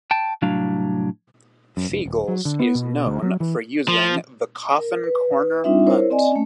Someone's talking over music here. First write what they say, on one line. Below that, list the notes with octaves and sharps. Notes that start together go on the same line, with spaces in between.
Feagles is known for using the "coffin corner" punt.
G5 A5
C2 A2 F#3 D4 F5
F#2
F1
D#1
F#3
D3
B3
B2
D2
F#3
E3
F3
A#4
B4
G3 C4 D4 D#4 F4 E5
E4 A#4 C5 C#5
C4 D5 D#5 G#5
A3 C#4